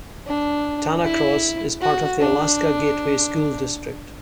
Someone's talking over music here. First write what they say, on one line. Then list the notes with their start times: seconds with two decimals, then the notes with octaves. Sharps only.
Tanacross is part of the Alaska Gateway School District.
0.26 D4
1.04 E4
1.81 F#4
2.20 D4